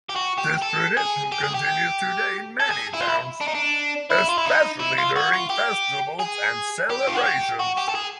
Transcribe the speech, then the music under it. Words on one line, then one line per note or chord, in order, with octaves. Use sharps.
This tradition continues today in many towns, especially during festivals and celebrations.
G4
F#4
G4
A4
G#4
G4
G#4
G4
A4
G#4
E4
F4
E4
D4
D#4
D4
E4
F4
E4
D#4
E4
F4
F#4
F4
G4
G#4
G4
F4
F#4
G4
F#4
G4
A4
G#4